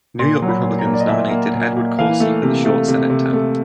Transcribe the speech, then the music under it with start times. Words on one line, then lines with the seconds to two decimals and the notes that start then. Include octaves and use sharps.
New York Republicans nominated Edward Corsi for the short Senate term.
0.19 A#2 C6
0.42 F#3
0.49 B5
0.64 A#2
0.79 A#5
0.87 A#3
0.93 D5
1.00 D#5
1.08 A#2 E5
1.31 A#3
1.54 A#2
1.77 A#3
1.99 E3 F5
2.20 A3
2.43 C3
2.65 A3
2.88 C3
3.10 C3
3.33 A3